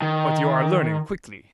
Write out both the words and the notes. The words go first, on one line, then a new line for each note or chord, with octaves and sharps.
"But you are learning quickly."
D#3